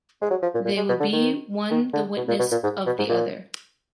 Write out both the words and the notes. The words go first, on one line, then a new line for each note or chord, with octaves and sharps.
They would be one the witness of the other.
G#3
F#3
F3
A#2
A#2
G#3
B2
D3
D#3
D#3
D3
B2
A#2
B2
A#2
G#2
B2
G#2
A#2